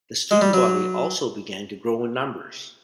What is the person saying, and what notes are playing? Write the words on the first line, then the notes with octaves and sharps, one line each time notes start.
The student body also began to grow in numbers.
G#3
G3
F#3